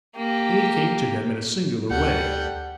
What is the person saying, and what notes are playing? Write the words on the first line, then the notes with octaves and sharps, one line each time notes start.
Aid came to them in a singular way.
A#3 G4
D2 G3 A4 F#5 G5